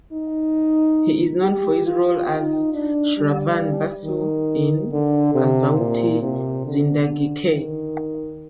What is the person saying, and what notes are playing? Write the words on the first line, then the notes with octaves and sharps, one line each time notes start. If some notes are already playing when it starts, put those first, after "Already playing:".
He is known for his role as Shravan Basu in "Kasautii Zindagii Kay".
D#4
G4
F4
D#4
D4
G3
D#3
D3
C3
A#2
C3
D3
D#3